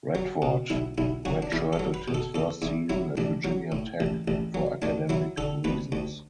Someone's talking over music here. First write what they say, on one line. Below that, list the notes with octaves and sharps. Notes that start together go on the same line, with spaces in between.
Radford redshirted his first season at Virginia Tech for academic reasons.
F#3
B2
B1 E4
B1 E4
F#3 F#4
D4
E2 E4
A4
F#3
B4
B2
A4
E2 A4
E2 E4
F#3 E4
A1 D4
F#3
A2
A1
A1
F#3
D2 D4
F#3 E4
D3 A4
D2 B4
D2